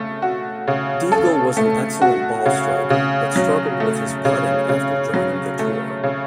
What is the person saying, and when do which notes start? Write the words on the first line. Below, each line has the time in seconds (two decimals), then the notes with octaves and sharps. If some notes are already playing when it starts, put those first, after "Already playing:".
Diegel was an excellent ball-striker, but struggled with his putting after joining the tour.
Already playing: C#3 A3
0.22 F#4
0.68 C#3
1.12 A4
1.57 A3
2.02 F#4
2.46 C#3
2.90 C#3
3.36 F#3
3.80 A3
4.25 C#3
4.69 C#3
5.14 F#3
5.59 A3
6.03 C#3